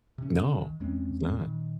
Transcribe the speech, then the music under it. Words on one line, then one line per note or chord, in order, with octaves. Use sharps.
No, it's not.
C3 C#4
D#3
E2 G#3 C4 C#4
A#2 D#3